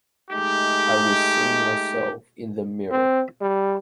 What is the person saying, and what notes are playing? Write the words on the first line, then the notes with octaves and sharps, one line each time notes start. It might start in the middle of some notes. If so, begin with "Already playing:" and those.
I was seeing myself in the mirror.
G#3 A3 D#4 G4
C4
G3